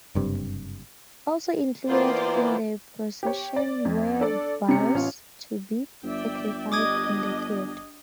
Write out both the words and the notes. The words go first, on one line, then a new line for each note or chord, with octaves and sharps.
Also included in the procession were bulls to be sacrificed in the theatre.
F#1 G2 C3
E3 A#3 B3 F4 C5 D5
G4 C#5
D5
F2
D4 A4 D5
C3 C#4 C#7
A1 C#4 F4
G1 D5 E5 G5
D4 G4 D#5 D6 D#6 G#6